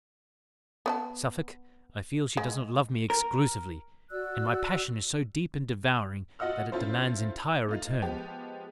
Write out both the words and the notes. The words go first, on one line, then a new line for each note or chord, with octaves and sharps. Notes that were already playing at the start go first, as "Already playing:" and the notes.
Suffolk, I feel she does not love me exclusively; and my passion is so deep and devouring, that it demands entire return.
B3 D5 A5
G#3
A#4
F#4 D5 E6 F#6
F4 F#4 D#5 F#5 E6 F6
C#4 E4 F4 A4 C5
A3 D#4 F4
F3 G#3 B3 G4